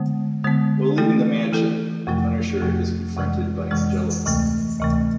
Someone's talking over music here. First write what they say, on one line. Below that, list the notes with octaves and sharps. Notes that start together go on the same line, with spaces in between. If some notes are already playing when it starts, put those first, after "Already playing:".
While leaving the mansion, the Punisher is confronted by Angela.
Already playing: D3 G#3 B3
D3 G#3 B3
E3 A3 E4 A4
E3 A3 E4 A4
F2 C3 F3 A3
F2 C3 F3 A3
F2 C3 E3 G#3
F2 C3 E3 G#3
D2 C3 E3 A3
D2 C3 E3 A3